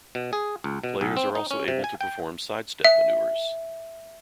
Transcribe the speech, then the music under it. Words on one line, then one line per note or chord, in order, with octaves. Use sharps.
Players are also able to perform sidestep maneuvers.
B2
G#4
C#2
B2
B1
C4
D#4
C#4
C3
G#5
G5
E5